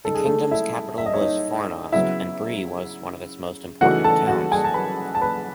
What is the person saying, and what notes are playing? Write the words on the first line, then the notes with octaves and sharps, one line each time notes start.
The kingdom's capital was Fornost, and Bree was one of its important towns.
C#3 G#3 D#4 A4
G#4
A3 A4
E4 E5
E5
D#5
C#5
D#4 D#5
C#3 F#3 B3 E4 E5
C#3 E3 A3 D#4 F#4 F#5
A4 A5
F#4 F#5
G#4 G#5
A5
B4 B5
A5
B4 B5